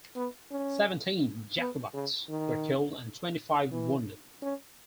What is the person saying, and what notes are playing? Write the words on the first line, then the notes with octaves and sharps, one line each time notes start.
Seventeen Jacobites were killed and twenty-five wounded.
B3
C#4
B3
C#3
D#3
E3
C#4